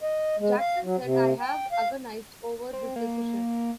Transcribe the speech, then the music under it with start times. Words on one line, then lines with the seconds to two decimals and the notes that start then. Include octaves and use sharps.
Jackson said, I have agonized over this decision.
0.02 D#5
0.39 G#3
0.59 F5
0.83 F#3
1.02 C3
1.41 G5
1.72 F5
2.73 C4
2.96 A#3